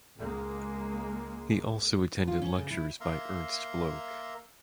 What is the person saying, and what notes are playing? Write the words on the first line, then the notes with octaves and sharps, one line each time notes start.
He also attended lectures by Ernst Bloch.
C#2 G#3 A#3
F4
C#4
C#3
E4
A#3 E5 F5 A#5 C6